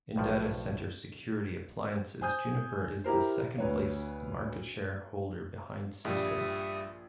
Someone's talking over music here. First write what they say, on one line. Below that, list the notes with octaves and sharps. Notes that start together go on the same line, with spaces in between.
In data center security appliances, Juniper is the second-place market-share holder behind Cisco.
B1 A2 F3
C5 G#5 D#6 G6
E4 G4 A#4 C5
D2 B4 C#5
A#1 G2 F3 G3 G#4 E5 D#6